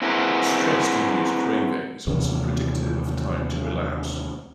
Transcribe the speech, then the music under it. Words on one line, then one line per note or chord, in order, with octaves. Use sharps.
Stress-induced craving is also predictive of time to relapse.
C4 E4 F#4 G#4 A#4 B4
D#2 C3 E3 C#4